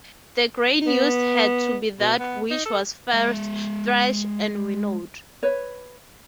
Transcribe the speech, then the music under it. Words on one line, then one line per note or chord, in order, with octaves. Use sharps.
The grain used had to be that which was first thresh and winnowed.
B3
B2
B3
D#4
A4
G#3 E5
B4 C#5